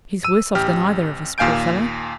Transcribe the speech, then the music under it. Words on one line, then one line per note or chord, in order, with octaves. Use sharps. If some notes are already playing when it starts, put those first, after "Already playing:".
He's worse off than either of us, poor fellow.'
E6 D#7
A1 G4 F6
D#2 A#2 F5 G#5 G6 D7